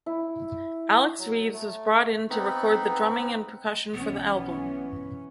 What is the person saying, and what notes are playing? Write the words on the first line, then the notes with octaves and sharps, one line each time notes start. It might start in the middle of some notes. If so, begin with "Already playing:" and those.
Alex Reeves was brought in to record the drumming and percussion for the album.
E4
F#3
A3
B3 C4 D#4 B5
B1 E3 B3 C#4